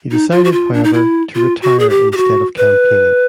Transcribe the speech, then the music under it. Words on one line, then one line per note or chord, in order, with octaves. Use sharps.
He decided, however, to retire instead of campaigning.
D#4
F4
F#4
F4
D4
D#4
E4
F4
F#4
G#4
G4
G4
F#4
B4